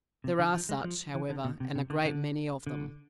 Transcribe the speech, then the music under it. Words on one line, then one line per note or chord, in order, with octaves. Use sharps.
There are such, however, and a great many of them.
C3
D3
F3
G#3
F3
E3
D3
B2
C3
C3
D3
D3
D3